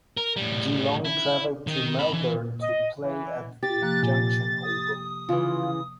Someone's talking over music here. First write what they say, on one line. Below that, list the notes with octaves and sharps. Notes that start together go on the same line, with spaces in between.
Geelong travelled to Melbourne to play at the Junction Oval.
A#4
A2 G3
E4
D#3 D#4
A5 B5
E3
D#5
E3
G4 A6
C3 F3 A#3 F#6
A#2 G#5
D#6
C#3 E3 F4